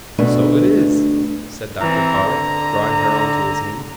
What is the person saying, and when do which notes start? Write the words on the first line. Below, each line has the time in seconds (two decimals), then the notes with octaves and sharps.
"So it is," said Dr. Carr, drawing her on to his knee.
0.18 D2 B2 A3 D4 B4
1.81 E3 C4 A#5
2.27 D3